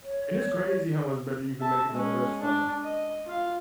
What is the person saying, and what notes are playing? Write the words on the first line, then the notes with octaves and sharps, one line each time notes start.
and it's crazy how much better you can make it than a restaurant
C#5
E5 A5
G#3 C#4
D4
D#5
F4 F5